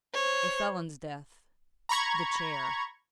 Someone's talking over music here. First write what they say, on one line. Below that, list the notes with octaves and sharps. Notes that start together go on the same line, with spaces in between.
A felon's death--the chair!
C5 C#5
A#5 B5 C#6 G#6